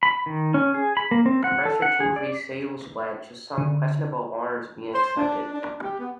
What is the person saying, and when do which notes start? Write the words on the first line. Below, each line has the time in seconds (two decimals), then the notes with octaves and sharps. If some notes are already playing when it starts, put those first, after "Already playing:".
Pressure to increase sales led to some questionable orders being accepted.
0.03 B5
0.26 D#3
0.54 C#4
0.74 G#4
0.97 B5
1.11 A#3
1.26 C4
1.44 F#5
1.65 A4
1.82 F#5
2.00 G#4
2.16 D5
3.58 D3
4.93 C5
5.17 D4
5.52 D4
5.83 G4
5.98 B3